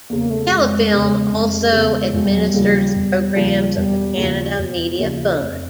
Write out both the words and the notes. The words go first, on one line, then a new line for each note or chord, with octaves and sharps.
Telefilm also administers the programs of the Canada Media Fund.
E2 C#3 A#3
A3
F1 G#3
E2 C#3
F1
E2 C#3
E1 G#3
G3
F#3
G3
D#2 C#3 F3
E1
D#2 C#3 F3
E1 G3
D#2 C#3 F3
E1
D#2 C#3 F3
F1